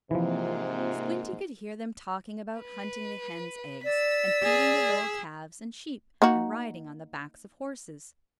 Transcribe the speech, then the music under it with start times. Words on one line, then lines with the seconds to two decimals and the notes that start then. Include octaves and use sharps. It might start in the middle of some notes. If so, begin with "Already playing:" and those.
Squinty could hear them talking about hunting the hens' eggs, and feeding the little calves and sheep, and riding on the backs of horses.
0.11 G#2 C3 E3 F3 A#3 C4 F4
2.60 B4
3.85 D5 E6 B6
4.43 G#4
6.22 A#3 D#4 F#4